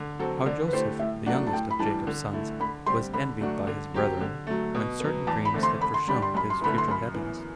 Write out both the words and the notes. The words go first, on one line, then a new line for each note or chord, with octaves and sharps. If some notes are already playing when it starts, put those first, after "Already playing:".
How Joseph, The Youngest Of Jacob's Sons, Was Envied By His Brethren, When Certain Dreams Had Foreshown His Future Happiness.
Already playing: D3
F#3 C4 F#4 A4
D3 D5
B4
A3 E4 G4 C5
A2 E5
F#3 A3 D4 F#5
A5
A2 G5
B5
E3 G3 D4 A5
D3
A3 E4
D3 B5
G3 C4 G4 C6
D3 B5
F#3 A3 D4 F#4
D3
F#3 C4 G4
D3
F#3 A3
B2
F#3 B3
E2 A5
B5
D3 A3 C4
C6
D3 B5
C6
G3 D4 G4 B5
C6
F#2 B5
C6
D3 A3 E4 B4 B5
C6
F#2 B5
E3 B3